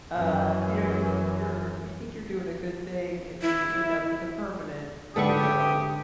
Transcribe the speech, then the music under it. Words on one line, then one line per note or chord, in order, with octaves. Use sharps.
Uh, you know, you're think you're you think you're doing a good thing, and then you end up with a permanent, you know,
F#2 E3
E4
G#2 D3 G4 A4 B4 F#5 C#6 D#6